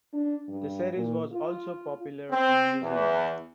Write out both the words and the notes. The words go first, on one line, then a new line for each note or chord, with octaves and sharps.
The series was also popular in New Zealand.
D4
G2
A#2
F4
C4
E2